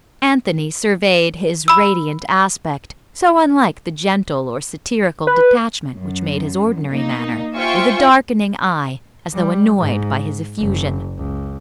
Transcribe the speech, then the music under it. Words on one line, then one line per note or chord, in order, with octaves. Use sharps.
Anthony surveyed his radiant aspect--so unlike the gentle or satirical detachment which made his ordinary manner--with a darkening eye, as though annoyed by his effusion.
B5 E6
B4
F#2
A#3 D#4
F4 C5 E5 G5 G#5 C#6
G3
G#2
F#1
C#2